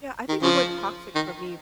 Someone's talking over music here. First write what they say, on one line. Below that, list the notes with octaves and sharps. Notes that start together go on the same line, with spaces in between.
Yeah, I think the word toxic for me
D#3
C#3 F3
D#3